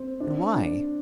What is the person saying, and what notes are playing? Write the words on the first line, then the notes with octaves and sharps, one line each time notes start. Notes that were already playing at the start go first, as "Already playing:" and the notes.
And why?
Already playing: C4
D4
D4